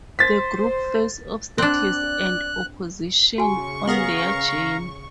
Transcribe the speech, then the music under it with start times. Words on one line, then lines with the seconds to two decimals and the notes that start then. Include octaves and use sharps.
The group face obstacles and opposition on their journey.
0.19 C5 A6 B6
1.58 C4 D4 D5 F#6
3.38 C#3 F#4 G#5 C#6
3.87 B3 G#4 A#4 F5 A#5